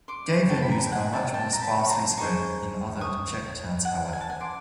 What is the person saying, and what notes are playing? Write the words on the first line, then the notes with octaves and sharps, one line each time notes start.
Gay venues are much more sparsely spread in other Czech towns however.
C6 D6
B5 C#6
G5 A5
B5
G#5 A#5
G5
F#5 G#5
G5 A5
G5 A5
A#5
A5 B5
C#6
A#5 C6
C6
D#4 G#4 C5 C#6
C#6 D#6
F#5 G#5
G#5
A5
F#5 G#5
C6 D6